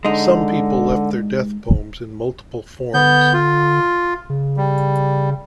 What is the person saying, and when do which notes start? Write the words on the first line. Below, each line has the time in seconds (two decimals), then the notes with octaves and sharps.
Some people left their death poems in multiple forms.
0.05 D3 G#3 D#4
2.94 D3 B3 G6
3.33 F4
4.30 C#3
4.57 G3